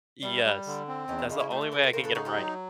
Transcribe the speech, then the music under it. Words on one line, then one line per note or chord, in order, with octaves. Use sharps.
Yes, that's the only way I can get 'em right.
G3 D4 E4
G3
D3
C4
E2 C#4 D#4
D4 E4
C#3 D#4 F4
E4 F#4
A3 D#4 F4
G4 A4
C#3 A4 B4
A#4 C5
C#3 A#4 C5
A4 B4
D#4 F#4 G#4
F4 G4
F#3